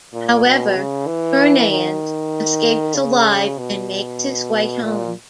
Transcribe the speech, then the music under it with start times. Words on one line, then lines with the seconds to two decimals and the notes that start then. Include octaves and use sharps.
However, Fernand escapes alive and makes his way home.
0.13 A#2
0.44 B2
0.76 C#3
1.07 E3
1.70 D#3
2.95 C#3
3.59 B2
4.83 A#2